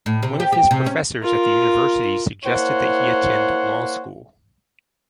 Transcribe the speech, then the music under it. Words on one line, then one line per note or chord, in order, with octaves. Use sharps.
One of his professors at the university suggested that he attend law school.
A2
C3
G4
G4
C3
C#4
F4 A#4
A#3 E4 C5 C#5 F#5